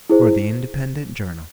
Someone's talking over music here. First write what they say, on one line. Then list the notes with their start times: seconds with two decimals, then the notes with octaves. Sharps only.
For the Independent Journal.
0.10 E4 G#4 C5